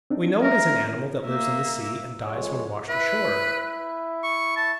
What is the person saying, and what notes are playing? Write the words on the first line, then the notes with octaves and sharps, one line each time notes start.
We know it is an animal that lives in the sea, and dies when washed ashore.
C4 D4 D#4
A#3 C#4 A#4 E5
A#3 E5
F2 G#3 C#5
E4 B4 E5
C#6
A5